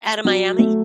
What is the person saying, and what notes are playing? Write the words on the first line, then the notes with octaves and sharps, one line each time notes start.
Outta Miami?
F#3
A3